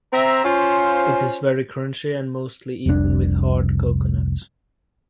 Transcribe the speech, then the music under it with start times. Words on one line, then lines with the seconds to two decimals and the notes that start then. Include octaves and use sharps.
It is very crunchy and mostly eaten with hard coconut.
0.12 C4 E5 A#5
0.44 C#4 F4 C5
2.86 F1 C2 G#2 D4